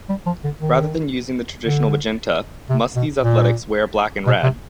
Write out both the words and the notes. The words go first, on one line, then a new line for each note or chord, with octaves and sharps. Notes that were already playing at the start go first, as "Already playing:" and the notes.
Rather than using the traditional magenta, Muskies athletics wear black and red.
G3
F3
D3
D#3
D3
C3
B2
A#2
B2
C3